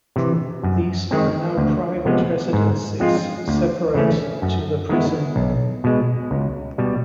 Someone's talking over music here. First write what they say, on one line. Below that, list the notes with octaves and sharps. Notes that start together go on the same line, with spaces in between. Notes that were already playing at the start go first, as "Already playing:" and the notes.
These are now private residences, separate to the prison.
C3 E3
F#2
D#3 G#3 C4
D2
C3 F3 G#3 B3
G#2
F3 G#3 C4 F4
D2
C#3 E3 A3 C#4
F#2
D#3 G#3 B3 E4
B1
B2 G#3
C#2
B2 G3